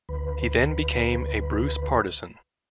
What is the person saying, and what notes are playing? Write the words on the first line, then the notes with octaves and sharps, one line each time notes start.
He then became a Bruce partisan.
D2 B4